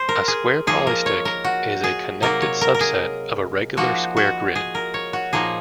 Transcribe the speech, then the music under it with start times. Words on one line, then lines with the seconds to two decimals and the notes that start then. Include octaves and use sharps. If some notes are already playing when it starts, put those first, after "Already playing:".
A square polystick is a connected subset of a regular square grid.
Already playing: C5
0.09 A#4
0.28 G#4
0.67 F3 A#3 D#4 G#4
0.87 A#4
1.06 C#5
1.25 A#4
1.44 F#4
1.84 G#4
2.22 C3 F#3 A#3 D#4 A#4
2.42 C#5
2.61 A#4
2.74 A#4
2.81 G#4
3.77 F3 A#3 D#4 F#4
4.17 F#4
4.55 G#4
4.75 A#4
4.94 C#5
5.13 F#4
5.33 A#2 F3 A#3 D#4 G#4